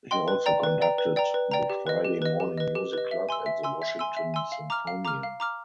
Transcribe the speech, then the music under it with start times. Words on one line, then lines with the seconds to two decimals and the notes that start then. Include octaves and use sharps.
He also conducted the Friday Morning Music Club and the Washington Sinfonia.
0.11 D#5 G5 C6
0.28 B4
0.46 D5 G5 A#5
0.63 B4
0.82 D5 G5 A#5
0.98 B4
1.16 D5 G5 A#5
1.34 B4
1.52 D5 G5 A#5
1.70 G4
1.87 B4 D#5
2.05 G4
2.22 B4 D#5
2.40 G4
2.58 B4 D#5
2.75 G4
2.93 B4 D#5
3.11 E5
3.29 G#5 C6 E6
3.46 E5
3.64 G#5 C6 E6
3.82 E5
3.99 G#5 C6 E6
4.17 E5
4.34 G#5 C6 E6
4.52 F5
4.70 A#5 D6 F6
4.87 F5
5.05 A#5 D6 F6
5.23 F5
5.40 A#5 D6 F6